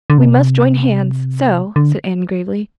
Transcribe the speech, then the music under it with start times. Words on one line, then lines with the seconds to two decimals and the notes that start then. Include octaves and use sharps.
"We must join hands--so," said Anne gravely.
0.10 D3
0.18 C3
0.27 B2
0.36 C3
1.76 D3